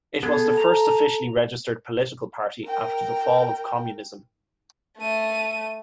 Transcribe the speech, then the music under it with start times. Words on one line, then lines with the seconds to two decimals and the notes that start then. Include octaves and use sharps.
It was the first officially registered political party after the fall of Communism.
0.23 B3 G#4 A4
0.57 A#5
2.65 A#4 G5
4.98 A3 D#7